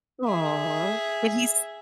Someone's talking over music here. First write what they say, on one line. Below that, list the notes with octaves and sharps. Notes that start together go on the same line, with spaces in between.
Aw, but he's
G#4 E5